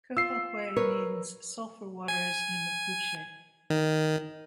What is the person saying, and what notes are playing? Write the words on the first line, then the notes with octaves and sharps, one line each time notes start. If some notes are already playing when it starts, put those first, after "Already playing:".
"Copahue" means "sulphur waters" in Mapuche.
F4 E6 C7
A#4 B4 C#5
G#5
D#3